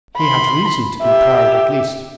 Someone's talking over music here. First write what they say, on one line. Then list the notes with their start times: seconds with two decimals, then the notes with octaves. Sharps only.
He had reason to be proud, at least.
0.18 B5 C6
1.02 G4 E5